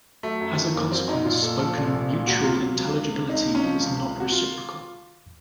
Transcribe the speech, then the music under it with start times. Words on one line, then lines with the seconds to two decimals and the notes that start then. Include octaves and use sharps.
As a consequence, spoken mutual intelligibility is not reciprocal.
0.23 F#3 A3
0.41 F#2
0.58 D#3
0.74 F#1 A#3
0.91 F#3 C4
1.09 F#2 D#4
1.25 A#1 F4
1.42 A#2 A4
1.59 F3 A4
1.77 A#1
1.93 A#1
2.11 A#2
2.27 C#2 F#4
2.44 C3 F4
2.62 F#3
2.78 C#2
2.95 C#2
3.13 C3
3.29 C#2 D#4
3.46 C3
3.55 C#4
3.64 F3
3.81 C#2
3.97 C#2
4.15 C3
4.20 F#4
4.32 F4